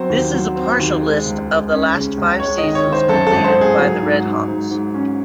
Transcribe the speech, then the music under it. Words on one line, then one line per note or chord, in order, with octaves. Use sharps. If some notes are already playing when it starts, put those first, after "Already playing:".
This is a partial list of the last five seasons completed by the Redhawks.
Already playing: F#3 C4 C5
D#2
F#3
C4
D#2
G#3
C#2
G#3
C#4
C#3
C#2
G#3 C#5
D#3 D#5
C#5
D#3
C5
F#2 A4
A4
G#1
C5
G#1
G#4
F#3
G#2
G#2
G#2
G#2
C#4